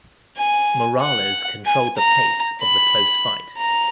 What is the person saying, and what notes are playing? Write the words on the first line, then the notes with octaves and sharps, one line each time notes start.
Morales controlled the pace of the close fight.
G#5
F#5
G#5
A#5
B5
A#5